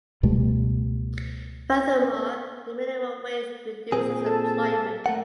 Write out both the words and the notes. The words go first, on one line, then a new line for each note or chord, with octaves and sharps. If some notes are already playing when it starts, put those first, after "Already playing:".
Furthermore the minimum wage reduces employment.
C#2 B2 G3 A3
A#2 C4 G#4
A4
A3 A#4 F#5